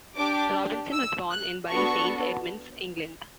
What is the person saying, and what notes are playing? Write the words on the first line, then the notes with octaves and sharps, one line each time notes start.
Robinson was born in Bury Saint Edmunds, England.
D4 G4 D6
E6
F#6
B3 D4 F#4 A4 C#6